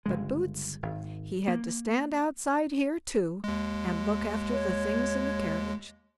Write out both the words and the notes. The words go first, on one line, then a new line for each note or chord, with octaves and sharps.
But Boots, he had to stand outside here too, and look after the things in the carriage.
G1 C#3 G#3
G#1
A#3
D#2 G#3
C#5